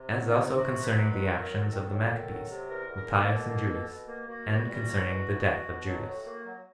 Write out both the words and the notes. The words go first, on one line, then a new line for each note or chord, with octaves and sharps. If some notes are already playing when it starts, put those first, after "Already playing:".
As Also Concerning The Actions Of The Maccabees, Matthias And Judas; And Concerning The Death Of Judas.
Already playing: C3
F#3 D#4
C3 D#4
C3
F#4
C3
B4
F#3
D#3 B4
F#3
A#4
F#3
A4
D#3
F#3
D#3
F#3
C3
E2 A#4
E2
A#4
A#3
A4
B2
A#3
B2
B2
A#3
A#3 F#4
E2
G3
E2
B2
E2
B2
B2
F#3
A2
A#3
F#3